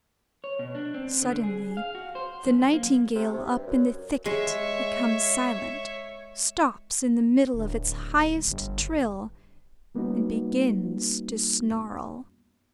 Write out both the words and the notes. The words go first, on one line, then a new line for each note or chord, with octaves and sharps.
Suddenly the nightingale up in the thicket becomes silent, stops in the middle of its highest trill, and begins to snarl.
C#5
B2
D4
C4
D3
G#4
F5
F#4
C5
F#2
A#3
C3
C3
G2
F#2
G#3 C#5 E5
D1
G1
G3 A#3 B3 C#4 D#4 F#4